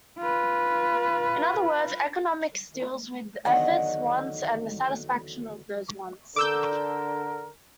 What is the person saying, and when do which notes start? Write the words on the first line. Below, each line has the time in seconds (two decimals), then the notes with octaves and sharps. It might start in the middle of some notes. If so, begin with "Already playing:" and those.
In other words, economics deals with effort, wants, and the satisfaction of those wants.
0.19 F4 B4
3.45 E2 D3 D#3 F#3 D#5 F#5
6.36 D3 A#4 D6 E6 G6